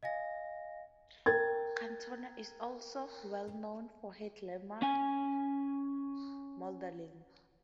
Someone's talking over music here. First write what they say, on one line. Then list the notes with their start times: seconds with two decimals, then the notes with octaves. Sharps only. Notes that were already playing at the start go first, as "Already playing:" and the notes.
Katona is also well known for her glamour modelling.
0.03 D#5 F5 G#5 A#6
1.26 A#4 G5 G#6 A6
4.82 C#4 G#5